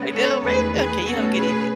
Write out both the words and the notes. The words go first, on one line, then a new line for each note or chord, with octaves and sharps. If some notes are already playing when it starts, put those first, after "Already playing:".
I know, right? Okay, you have a good evening.
Already playing: C#3 G#3 B3
A4 C#5
E2 D#3 A3 G#4 B4
G#4 B4
B2 A3 C#4 F#4 A4
G#4 B4